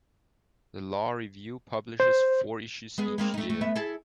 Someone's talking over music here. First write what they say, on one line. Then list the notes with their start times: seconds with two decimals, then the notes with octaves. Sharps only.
The law review publishes four issues each year.
2.00 C5
2.98 G#3 B3 G#4
3.18 G#3 A#3 C4
3.34 A3 D#4
3.50 A3
3.61 A3 B3 E5
3.76 E4 G#4 A4